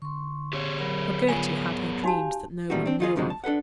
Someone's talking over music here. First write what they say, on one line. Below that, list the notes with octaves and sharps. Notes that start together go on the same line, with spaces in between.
For Gerty had her dreams that no-one knew of.
D3 C6 C#6
G4 G#4 C#5
F#3 A#4 B5
B3 F4 G#4 C#5 G#5
D#4 F#4 G4 F5 G#5 A5
A#2 D#3 G3 A3 C4 F#4
C4 D4
D#3 D#4 F4 F#4 G#4 D#5
G2 C3 D#3 F3 F#3 G#3
A5
D4 A4 B4 F#5